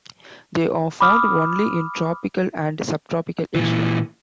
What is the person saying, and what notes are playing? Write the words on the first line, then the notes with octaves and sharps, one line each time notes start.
They are found only in tropical and subtropical Asia.
B5 D6 D#6 F6
A#2 E3